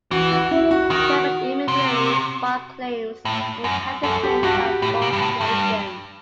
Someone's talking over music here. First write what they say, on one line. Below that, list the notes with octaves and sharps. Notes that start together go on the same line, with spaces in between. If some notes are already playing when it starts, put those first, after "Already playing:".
The event immediately sparked claims and counter-claims by both nations.
E3 F#4
F#4
E4
F#4
D#3 F#4
C3
A2
F#2
F#2 A4
G4
G2 F#4
G4
A2
B2
G2
A2
G2